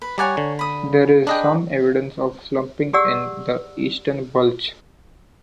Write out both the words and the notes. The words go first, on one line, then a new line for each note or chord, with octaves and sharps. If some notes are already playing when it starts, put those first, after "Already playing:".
There is some evidence of slumping in the eastern bulge.
B4
G3 C#5 D5 F#5 G#5 A#5
D3
B5 D#6
D4 G#4 B4 D#5 G5
G4 G#4 D5 F#5 E6